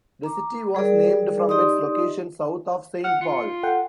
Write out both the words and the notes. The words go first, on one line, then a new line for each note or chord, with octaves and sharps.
The city was named from its location south of Saint Paul.
A#5 D6
G3 G#4 A#4 D5
D#4 G4 D5 D#5 C6 D#6
F#5 F6
F4 C#7
A4 F#5 G5